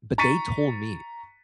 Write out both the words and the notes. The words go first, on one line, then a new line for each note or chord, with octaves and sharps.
But, they told me,
A#5 C#6 A6 B6 C#7 D#7